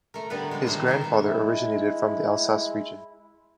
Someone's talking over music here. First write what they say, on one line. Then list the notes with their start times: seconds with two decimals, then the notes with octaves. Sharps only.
His grandfather originated from the Alsace region.
0.14 A3 A#4
0.30 D3 G3 B3 A#4 B4
0.51 G#3 A#3 D4
0.67 D#3 G3 C4 D#4 E4 C5
0.86 A4 A#4 D#5 E5
1.01 B2 C4
1.23 G#3 E4